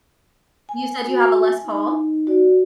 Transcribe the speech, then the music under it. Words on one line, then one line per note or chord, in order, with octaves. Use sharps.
You said you have a Les Paul?
G#5
F#4
D#4
F#4 D5